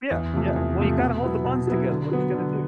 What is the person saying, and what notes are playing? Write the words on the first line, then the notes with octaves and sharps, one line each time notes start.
Yeah. Yeah. Well, you gotta hold the buns together, what ya gonna do?
E2
C3 F3 A3
E2
C3 F3 A3
B2
F#3 B3 E4
B2
F#3 B3 E4
D3
F#3 B3
D3